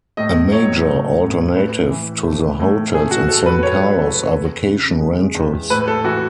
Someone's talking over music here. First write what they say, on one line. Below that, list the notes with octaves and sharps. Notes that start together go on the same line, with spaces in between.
A major alternative to the hotels in San Carlos are vacation rentals.
A2 D#5
F#3 C#5
A3
A2
A2 B4
E3
A3
A2
A3 G#4
F#4
B2 A4
B4
F#3 C#5
E2 A4
B4
E2
C#3
G#3
E2
A2 B4
A4
E3 F#4